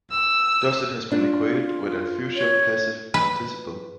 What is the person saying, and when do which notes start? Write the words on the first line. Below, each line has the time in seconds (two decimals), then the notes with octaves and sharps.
Thus it has been equated with a future passive participle.
0.11 E6
1.12 D4 F4
2.36 C#5
3.14 B4